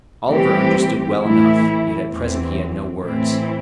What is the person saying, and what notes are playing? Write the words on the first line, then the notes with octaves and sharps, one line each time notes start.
Oliver understood well enough, yet at present he had no words.
A2 E3 G3 C4 G4
A2 E3 A3 E4
E2 E3 C4
A2 E3 C4 E4